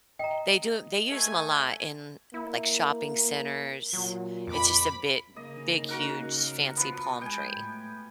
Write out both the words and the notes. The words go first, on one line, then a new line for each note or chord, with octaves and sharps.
They do they use 'em a lot in, like, shopping centers. It's just a bit big, huge, fancy palm tree.
D#5 G5 A#5
A3 G#5 G#6
A#3 E4
A#2 F#3
F2 B5 D6
C#3 A#3 D#4 D#5
F#4 A#4 F#5
F3 B3
G#3 G5 G#5
A2